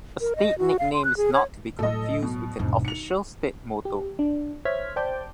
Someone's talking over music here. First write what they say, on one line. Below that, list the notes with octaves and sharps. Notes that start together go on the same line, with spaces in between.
A state nickname is not to be confused with an official state motto.
A#4
D#5
F#4
F5
C6
F#6
G#4
C#5
A2 F#3 A4 D#5
B2
E1 G#2
D#4 C#7 F7
G4
D4
C5 C#5 E5 F6 G#6 B6
C5 D5 G5 A5 D6 G6